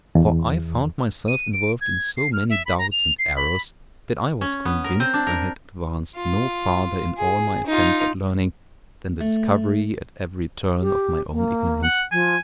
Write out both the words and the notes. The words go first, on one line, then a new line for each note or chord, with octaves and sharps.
For I found myself involved in so many doubts and errors, that I was convinced I had advanced no farther in all my attempts at learning, than the discovery at every turn of my own ignorance.
E2
D#7
D7
G#6
C7
F6
E5
B5
A#5
F7
C7
B5
C#4
B3
A#4
C4
D4
A#4
F4
G#4
D#4 F4
A3
G4
A#3
F#5
F3 G#5